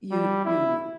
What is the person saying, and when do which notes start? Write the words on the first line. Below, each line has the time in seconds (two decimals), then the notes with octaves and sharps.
you you
0.11 G3
0.45 E4